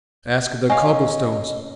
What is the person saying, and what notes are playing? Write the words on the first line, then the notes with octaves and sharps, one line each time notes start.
Ask the cobble stones.
C#4 D#5 F5 G#5